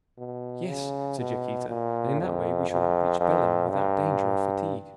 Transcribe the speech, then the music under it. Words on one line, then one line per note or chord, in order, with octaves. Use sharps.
"Yes," said Yaquita, "and in that way we shall reach Belem without danger or fatigue."
B2
C#3
B2
A#2
F2
F2
F2
G2